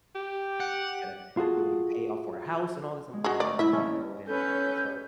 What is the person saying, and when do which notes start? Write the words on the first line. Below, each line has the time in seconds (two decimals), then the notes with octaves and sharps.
you gotta be able to pay off for a house and all this," I'm like, "Oh my god, no way," and so, um,
0.15 G4
0.60 F#5
1.37 F4 F#4 G#4 A4
3.13 G#3
3.24 G#2 F#4 G#4 A#5 C#6
3.40 D2 D5
3.59 E4 E5
3.73 D#2 C#4 D4
4.27 C#4 A4 B4 C#5 G6